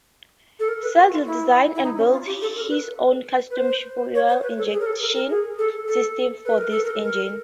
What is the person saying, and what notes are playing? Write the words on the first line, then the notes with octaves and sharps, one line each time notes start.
Sadler designed and built his own custom fuel injection system for this engine.
A4
A#4
B4
F#4
F4
E4
E4
D#4
C#4
F4
G4
A4
A#4
B4
B4
C5
C#5
C5
B4
A4
G#4
A#4
A4
A#4
A#4
G#4
A4
A4
B4
A#4
A4
A#4
A#4